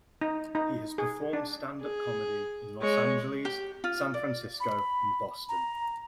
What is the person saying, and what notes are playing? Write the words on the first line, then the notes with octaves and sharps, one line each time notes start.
He has performed stand-up comedy in Los Angeles, San Francisco, and Boston.
D#4
D#4
G#4
D4
G#4
G#3 C#5
G4
F4
D5
B5
A#5